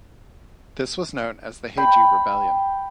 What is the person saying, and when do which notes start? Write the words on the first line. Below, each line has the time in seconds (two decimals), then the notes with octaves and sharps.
This was known as the Heiji Rebellion.
1.78 G5 B5